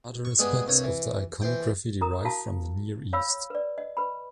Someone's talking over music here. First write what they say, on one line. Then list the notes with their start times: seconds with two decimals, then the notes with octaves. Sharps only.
Other aspects of the iconography derive from the Near East.
0.25 C#6
0.39 G3 G#3 B3 G#4
0.66 C2 G2 C#5
0.84 E3
1.42 E3 C5 G5
2.01 E4 A#4 A#5 D#6
2.25 E4 F#4 F5 A5
3.13 C#5 F5 B5 E6
3.50 B4 D5
3.78 D#5
3.97 B4 B5